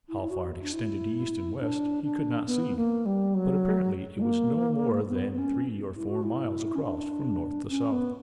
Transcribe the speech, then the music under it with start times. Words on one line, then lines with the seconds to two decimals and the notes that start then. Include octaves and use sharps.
How far it extended east and west he could not see, but apparently it was no more than three or four miles across from north to south.
0.08 E4
0.21 E4
0.30 F#4
0.62 D4
0.73 E4
1.60 D4
2.03 D4
2.47 B3
2.76 A#3
3.06 G3
3.34 F#3
4.16 G3
4.21 A#3
5.09 B3
5.33 B3
5.38 C#4
5.96 E4
6.10 F#4
6.23 E4
6.75 C#4
6.83 D4
7.70 C#4
7.92 B3